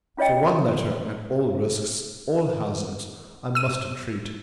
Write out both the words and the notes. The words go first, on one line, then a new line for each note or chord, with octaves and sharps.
For one letter, at all risks, all hazards, I must entreat.
C#4 F4 C#5 D#5 G5
E6 D#7